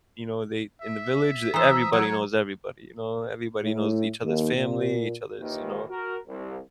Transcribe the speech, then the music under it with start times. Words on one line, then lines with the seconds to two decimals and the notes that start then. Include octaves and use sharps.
you know, they, in the village, everybody knows everybody, you know? Everybody knows each other's family, each other's, you know,
0.81 E5
1.54 E3 C5 A#5 D#6 E6
1.93 F#3 C#5
3.62 A2
4.23 D#2
4.55 A#2
5.39 D#2 A#2 D#3 E3
5.90 F#4 A#4
6.28 C2